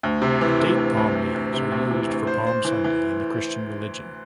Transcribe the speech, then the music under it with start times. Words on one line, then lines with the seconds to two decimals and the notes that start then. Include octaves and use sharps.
Date palm leaves are used for Palm Sunday in the Christian religion.
0.03 D2
0.22 C3
0.41 E3
0.60 D2
0.78 D2
0.97 D2
1.15 D2
1.35 D2
1.54 C3
1.72 D2
1.91 E3
2.10 D2
2.27 C5
2.47 C5
2.65 E3
2.84 E3